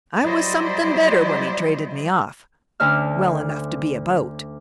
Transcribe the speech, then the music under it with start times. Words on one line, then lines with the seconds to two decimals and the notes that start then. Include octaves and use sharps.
I was something better when he traded me off; well enough to be about.
0.24 F#3 G3 E4 C5 D5 D#5
2.80 D2 D3 C#4 E5 F6